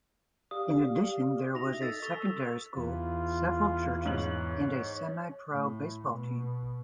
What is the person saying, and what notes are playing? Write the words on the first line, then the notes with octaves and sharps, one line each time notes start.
In addition, there was a secondary school, several churches, and a semi-pro baseball team.
G4 D5 F5 D#6
D#4 F#4 E5 A#6 F7
A4 D#5 E6 A6 B6
A4 C#6 E6 B6 F7
E2 F4
G#2 C#5 F#7
A2
B2